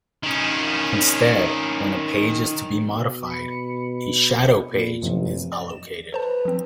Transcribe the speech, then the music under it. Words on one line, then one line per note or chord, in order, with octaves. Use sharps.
Instead, when a page is to be modified, a shadow page is allocated.
D#3 C#4
B2
B5 C#7
A#2
A1 F#2 C3 F3
D5
E7
A4 B4 C5 A5
F3 C4